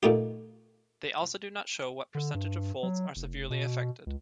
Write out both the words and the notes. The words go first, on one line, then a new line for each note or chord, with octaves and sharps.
They also do not show what percentage of Folds are severely affected.
A#2 A3 D#4 G4
D3
G2
F#3
F1
B2
C#2